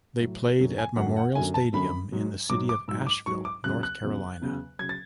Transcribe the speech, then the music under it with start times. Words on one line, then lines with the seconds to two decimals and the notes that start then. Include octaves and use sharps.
They played at Memorial Stadium in the city of Asheville, North Carolina.
0.20 A2 F#3
0.59 F#2 D3 F#3
0.78 G#5
0.96 F#2 D3 F#3 F#5
1.16 F#5
1.35 F#2 D3 F#3 G#5
1.54 A5
1.73 F#2 D3 F#3 B5
2.12 G#2 F#3
2.49 G#2 F#3 D6
2.69 D6
2.88 G#2 F#3 E6
3.07 D6
3.26 G#2 F#3 C#6
3.45 D6
3.64 E2 C#3 F#3 F#6
3.83 F#6
4.03 E2 C#3 F#3
4.41 E2 C#3 F#3
4.79 C#3 F#3 G#6
4.89 A6